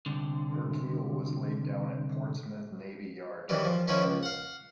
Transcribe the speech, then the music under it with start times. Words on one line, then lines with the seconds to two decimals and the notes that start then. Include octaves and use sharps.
Her keel was laid down at Portsmouth Navy Yard.
0.06 C2 D3
3.49 D#3 E3 F#3 G3
3.65 F3
3.88 D#3 F3 C#4 E4 B4 C#5
4.03 C#2
4.23 F5 F#5